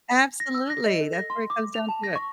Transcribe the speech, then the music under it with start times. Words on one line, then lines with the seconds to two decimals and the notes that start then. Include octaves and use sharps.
Absolutely, that's where it comes down to it.
0.40 A#6
0.55 E6
0.70 A#6
0.85 D#5
1.01 A4
1.13 A#6
1.30 C6
1.50 D6
1.74 F7
1.89 A5
2.03 A#6
2.16 C#6